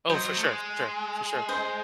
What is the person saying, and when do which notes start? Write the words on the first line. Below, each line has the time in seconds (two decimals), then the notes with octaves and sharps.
Oh, for sure, for sure, for sure.
0.10 F#3 C5 D#5
0.25 F#3
0.37 A3
0.44 G#3
1.49 C5 D#5